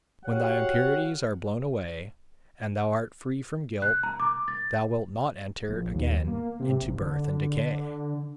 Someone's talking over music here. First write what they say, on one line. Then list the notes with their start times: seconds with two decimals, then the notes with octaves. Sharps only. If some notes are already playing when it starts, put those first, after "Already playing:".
When thy impurities are blown away, and thou art free from guilt, thou wilt not enter again into birth and decay.
0.24 F#4 G4 C#5 F5 F#5
3.82 F#6
4.03 A#5
4.20 D6
4.48 A6
5.68 A#1
5.94 D#2
6.28 A#3
6.60 C3
6.82 G#1
7.01 D3